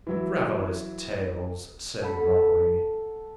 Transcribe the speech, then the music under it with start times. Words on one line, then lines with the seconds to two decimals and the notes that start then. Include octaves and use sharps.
"Travellers' tales," said Raleigh.
0.07 E3 F#3 E4
2.02 A4 F#5 B5